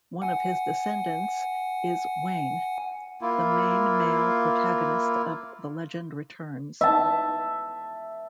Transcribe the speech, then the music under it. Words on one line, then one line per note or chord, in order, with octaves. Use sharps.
One of his descendants is Wain, the main male protagonist of "The Legend Returns".
F#5 G#5
A#3 E4 F4
E5 A5